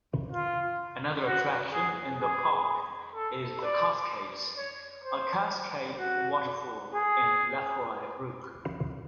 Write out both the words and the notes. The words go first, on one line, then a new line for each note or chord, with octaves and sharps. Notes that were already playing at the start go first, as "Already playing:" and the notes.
Another attraction in the park is The Cascades, a cascade waterfall in Lefroy Brook.
F4
F#4
G#4
G#4
A4
D5
C#5
C5
F#4
G#4